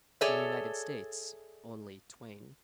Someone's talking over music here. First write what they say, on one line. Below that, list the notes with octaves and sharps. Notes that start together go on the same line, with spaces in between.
In the United States, only Twain.
G#4 A4 C#5 D5 E5